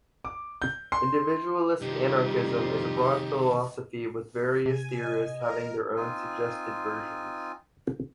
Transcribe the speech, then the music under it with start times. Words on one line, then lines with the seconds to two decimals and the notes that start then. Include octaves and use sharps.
Individualist anarchism is a broad philosophy with various theorists having their own suggested versions.
0.25 D6
0.62 G6
0.92 C6
1.82 F2 C3 D#3 G3 D#4 F4 G4
4.66 C3 G#5
5.02 D#5
5.38 A#4
5.96 C4 D#4 F4 G#5